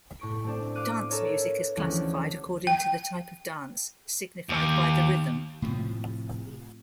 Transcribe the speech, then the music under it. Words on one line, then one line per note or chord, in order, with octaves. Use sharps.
Dance music is classified according to the type of dance signified by the rhythm.
A2 C#6 D7
A3 C4 D4
F5 D6 F#6 D#7
A4 A#4 C#5
B4
D2 E3 F3 G#3 C#4 F#5
G5
D#2
A2 C3 F3